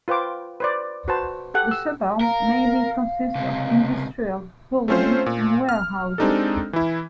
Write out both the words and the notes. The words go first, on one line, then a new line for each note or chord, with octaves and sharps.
The suburb mainly consists of industrial buildings and warehouses.
F4 B4 C5 G5 D6
B4 C5 D5
F#4 B4 C5 A5
G4 A4 F#5
E6
A#4 F5
C#2 C3
A3 C4 C#4 F4 C5
A#2
F6
G#3 C4 D4 D#4 G4 A4
E3 E4